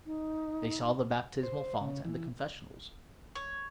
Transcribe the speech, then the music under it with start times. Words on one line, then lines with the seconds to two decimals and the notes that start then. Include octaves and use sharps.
They saw the baptismal font and the confessionals.
0.05 D#4
1.43 C5
1.81 C#3
2.05 E3
3.35 C#5